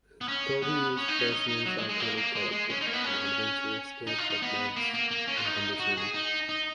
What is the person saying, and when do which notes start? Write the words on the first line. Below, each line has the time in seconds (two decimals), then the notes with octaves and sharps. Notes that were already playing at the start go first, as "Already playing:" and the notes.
Toby is Baseman's iconic character, an adventurous cat that loves unconditionally.
0.21 B3
0.28 C#4
0.63 B3
0.97 C#4
1.08 D#4
1.19 C#4
1.32 D#4
1.49 D#4
1.66 F#3
1.78 G#3
1.89 G#3
2.00 A#3
2.17 A#3
2.35 G#3
2.52 G#3
2.70 C#4
2.81 D#4
2.86 A#3
2.93 B3
3.04 C#4
4.07 D#4
4.18 F4
4.30 D#4
4.42 B3
4.76 A#3
4.94 A#3
5.11 A#3
5.28 C#4
5.37 F4
5.45 D#4
5.80 F#4
5.97 G#4
6.14 D#4
6.49 D#4